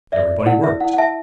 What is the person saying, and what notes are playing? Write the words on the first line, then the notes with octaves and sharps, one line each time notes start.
Everybody worked.
D5 E5
E4 F#5
E5
E4 F#5
F#5
E5 A5